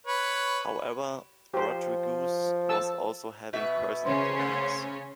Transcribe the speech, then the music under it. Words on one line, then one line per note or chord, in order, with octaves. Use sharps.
However, Rodriguez was also having personal problems.
B4 C#5
F3 G4 C5
A4 A5 E6
B2 F#4 E5
C#3 C#4 C5
A3